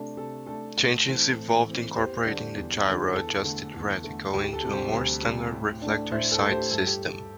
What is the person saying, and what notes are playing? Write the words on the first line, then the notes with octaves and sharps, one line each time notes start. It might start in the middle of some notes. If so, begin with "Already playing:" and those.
Changes involved incorporating the gyro adjusted reticle into a more standard reflector sight system.
Already playing: C3 A3 D4
C3 A4
A3 D4 A4
A2
E3 C4
A2
E3 C4
E2 G4 C5
D3 G3 D4
E2
D3 G3 D4
E2 A4
D3 A3
E2
D3 A3
D2 G4
A4
C3 G3
G4 C5
D2
C3 G3
A2
A3 D4
A2 C5 E5
A4
A3 D4
G4 C5
G2 A4
G4